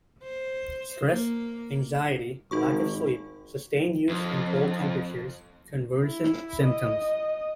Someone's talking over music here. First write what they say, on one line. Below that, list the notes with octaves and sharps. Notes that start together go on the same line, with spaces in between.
Stress, anxiety, lack of sleep, sustained use and cold temperatures can worsen symptoms.
C5
A#3
G#1 D#4 F#4 C#6
F2
E4
D#5